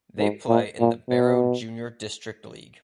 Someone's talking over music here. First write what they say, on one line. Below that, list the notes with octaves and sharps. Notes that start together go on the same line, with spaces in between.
They play in the Barrow junior district league.
G#2
A#2
A#2
B2